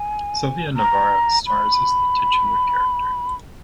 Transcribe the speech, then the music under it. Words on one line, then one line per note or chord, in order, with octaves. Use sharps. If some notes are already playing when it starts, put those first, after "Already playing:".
Silvia Navarro stars as the titular character.
Already playing: G#5
A#5
B5